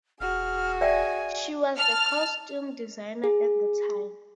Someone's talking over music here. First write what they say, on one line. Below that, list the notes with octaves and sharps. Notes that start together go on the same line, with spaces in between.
She was the costume designer at the time.
E1 F#4 G#4 F6
D5 E5 G5 G#5
A5 F6
G#4